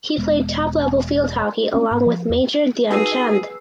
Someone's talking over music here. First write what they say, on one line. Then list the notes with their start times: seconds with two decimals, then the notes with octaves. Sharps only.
He played top level field hockey along with major Dhyan Chand.
0.18 E1 G#3 B3
1.74 A3 C4 C#4
1.91 G#2
2.06 F3
2.30 E2
2.90 D#4 F#4 G#4 A4 B4 E6 C7